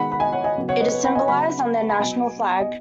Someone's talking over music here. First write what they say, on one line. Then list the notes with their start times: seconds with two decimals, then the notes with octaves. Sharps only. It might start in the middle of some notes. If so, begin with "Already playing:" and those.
It is symbolised on their national flag.
Already playing: D#3 G#3 B3 F#5 B5
0.12 F#5 B5
0.20 D#5 G#5
0.33 C#5 F#5
0.44 D#5 G#5
0.57 C#3 F#3 B3
0.69 C#5 F#5
0.80 B4 D#5
0.92 B4
1.04 F#5 B5
1.15 D#5 G#5
1.28 C#3 F#3 B3 F#5 B5
1.89 B5
1.99 B2 F#3 B3 D#5 G#5
2.60 D#5